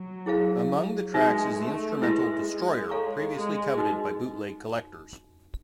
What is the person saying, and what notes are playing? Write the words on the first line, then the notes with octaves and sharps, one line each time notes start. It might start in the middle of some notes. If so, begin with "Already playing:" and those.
Among the tracks is the instrumental "Destroyer", previously coveted by bootleg collectors.
Already playing: F#3
E4 G#4 C5 F5
G#3 D#4 F#4 B4 E5
A3
G#3 E4 G4 B4 E5
G#3
A4 C#5 F5 A#5 C#6
G#3
D#4 F#4 B4 D#5